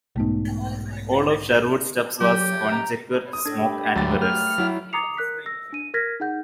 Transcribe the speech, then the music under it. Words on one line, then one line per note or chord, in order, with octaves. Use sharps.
All of Sherwood's stuff was conjecture, smoke and mirrors.
B1 G#2 A3 B3 D#4
F#3 G4
A#5
D#6
A2 D4 A4 A5
G2 G4 B5
D2 F#3 A3 A6
F6
F#3 E4
A#5 D6 D#6 C7 C#7 F7
A#4 F#6 B6
E6 A#6
D4 D#7
A#4 F6 G#6 A#6 B6
D#4 G#4 F#5 G6